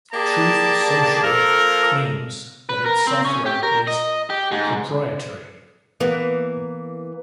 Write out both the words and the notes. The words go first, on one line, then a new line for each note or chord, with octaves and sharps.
Truth Social claims that its software is "proprietary".
A#3 G4 G#4 D5 A5
F3 A#3 A4 A#4
B4
A#4
C4
C#4
G4
A#4
D#5
G4
G#2
E3 A#3 B3